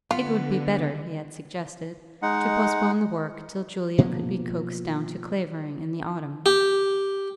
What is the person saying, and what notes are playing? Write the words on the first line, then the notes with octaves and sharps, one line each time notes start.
It would be better, he had suggested, to postpone the work till Julia could be coaxed down to Clavering in the Autumn.
D3 B3 F4
G#3 D#4 F#5
B2 F3 A#3 B3
G4